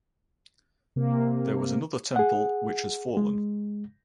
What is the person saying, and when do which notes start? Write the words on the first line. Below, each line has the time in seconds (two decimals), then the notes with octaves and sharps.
There was another temple which has fallen.
0.96 C3 A#3
2.16 G#4 F#5
3.17 G#3